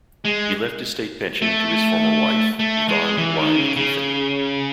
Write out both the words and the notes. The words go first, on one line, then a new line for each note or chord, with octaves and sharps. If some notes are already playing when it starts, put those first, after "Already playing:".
He left his state pension to his former wife, Yvonne Y. McKeithen.
G#3
A3
A3
G#3
E3
D#3
C#3
C#3